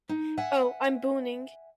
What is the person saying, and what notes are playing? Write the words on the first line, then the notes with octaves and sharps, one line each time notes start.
Oh, I’m burning!
D#4
E5 F#5 G#5